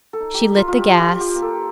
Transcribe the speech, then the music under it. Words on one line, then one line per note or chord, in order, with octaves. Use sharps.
She lit the gas.
A4
D#4
G4
D#4
F4
F4
G3 G4
G4
F4
G3
G4
A#3
A4